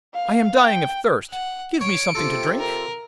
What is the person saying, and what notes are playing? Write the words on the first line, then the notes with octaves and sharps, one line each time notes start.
'I am dying of thirst; give me something to drink.'
F5
G5
F#5
C#5 C#7 D7
C3 F4 A4
A#4